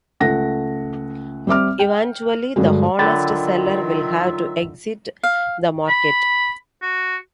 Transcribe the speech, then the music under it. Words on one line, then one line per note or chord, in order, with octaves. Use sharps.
Eventually, the honest seller will have to exit the market.
C#2 A3 F#5 A#6
G3 C4 E5 D6 F6
G5
G2 D3 F#3 G#3
D3 D#3 F#3 F4 E5 G5 B5 A6
F5
B5
F#4